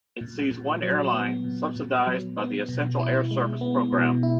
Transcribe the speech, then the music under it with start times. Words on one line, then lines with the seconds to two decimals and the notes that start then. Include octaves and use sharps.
It sees one airline, subsidized by the Essential Air Service program.
0.21 A#2
0.51 A#2
0.83 F#3
1.13 B3
1.44 A#2
1.76 A#2
2.07 F#3
2.37 B3
2.69 B2
2.99 E4
3.31 G#3
3.61 B3
3.92 B2
4.23 E4